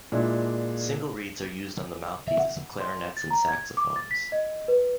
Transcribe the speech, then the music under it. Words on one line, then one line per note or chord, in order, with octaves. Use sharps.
Single reeds are used on the mouthpieces of clarinets and saxophones.
A#2 G#3 A#3 D4 E4
E5
F#5
C6
A6
A#5
G#6
D6
A6
B6
D#5
B4